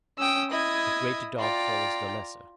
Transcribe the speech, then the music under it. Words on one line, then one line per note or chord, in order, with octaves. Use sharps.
The Greater Dog follows the Lesser.
C#4 G5 D#6 E6
E4 D#5 D#6 G#6
F4 D5 G5 A#5